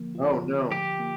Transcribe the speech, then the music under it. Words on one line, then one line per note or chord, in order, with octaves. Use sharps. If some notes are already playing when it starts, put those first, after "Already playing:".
Oh, no.
Already playing: D3 F3 A#3
F4
D3
F3 G4
A#3